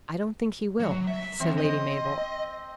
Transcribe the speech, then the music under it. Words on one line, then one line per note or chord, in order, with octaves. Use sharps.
"I don't think he will," said Lady Mabel.
F#3
E5
E2 C4
D#5